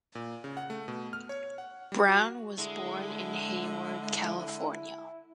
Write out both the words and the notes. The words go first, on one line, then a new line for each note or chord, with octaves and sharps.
Brown was born in Hayward, California.
A#2
C#3
F#5
A3
B2
F6
C#5
F#5
G3
F#4
D3 G#3 E4